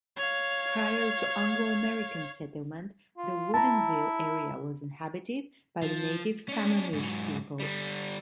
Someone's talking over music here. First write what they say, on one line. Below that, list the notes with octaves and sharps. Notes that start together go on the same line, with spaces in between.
Prior to Anglo-American settlement, the Woodinville area was inhabited by the native Sammamish people.
C#5 F5
F4
E4 A5 A#5
F3
C#4 D4
G#2 F#3
D3 G3